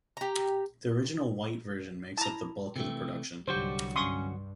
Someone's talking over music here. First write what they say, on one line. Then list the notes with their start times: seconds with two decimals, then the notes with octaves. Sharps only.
The original white version makes up the bulk of the production.
0.17 G4 A#5
2.18 E4 A5 A#5
2.76 C3 E3 A3 C4
3.48 C2 G#2 D3 F#3 G3 F#4 G4 C5
3.96 G2 C#4 C6 C#6 D#6